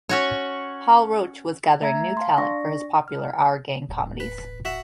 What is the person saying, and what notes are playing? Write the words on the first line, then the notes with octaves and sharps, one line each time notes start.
Hal Roach was gathering new talent for his popular "Our Gang" comedies.
C#4 F#4 C#5
A3 E5 A#5 G#6
F5 A5 C6
D4 D5 C#6 A#6
F6
D#1 A1
B4
F#4 E5 F#5